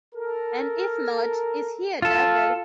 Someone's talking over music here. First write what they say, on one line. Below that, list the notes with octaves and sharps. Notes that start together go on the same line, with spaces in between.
And if not, is he a devil?
A4 A#4
F4 A4